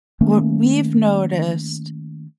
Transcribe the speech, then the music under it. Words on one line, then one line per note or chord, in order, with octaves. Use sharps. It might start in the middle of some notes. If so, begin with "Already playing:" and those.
what we've noticed
D#3 A3 A#3 C#4